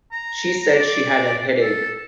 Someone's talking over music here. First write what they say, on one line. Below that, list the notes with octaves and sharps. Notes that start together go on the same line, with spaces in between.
She said she had a headache.
A#5
D5
A4